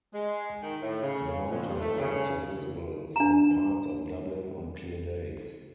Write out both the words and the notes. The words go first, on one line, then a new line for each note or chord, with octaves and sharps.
The mountains are also visible from parts of Dublin on clear days.
G#3
D#3
A2
C#3
F2
G2
A3
C#3
D4 A#5